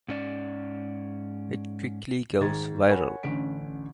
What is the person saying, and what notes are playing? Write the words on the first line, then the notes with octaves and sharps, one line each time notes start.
It quickly goes viral.
G#2 C#4 D5
G#2 D#3 G#6 A6
A#4 C#5 F#5 G#5 B5
A1 D3 C#4 B6 D7